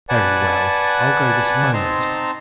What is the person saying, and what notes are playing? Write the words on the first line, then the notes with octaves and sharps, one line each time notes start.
Very well, I'll go this moment.
B4 D5 F#5 G#5 A5
C4 D#4 A5 A#5 C6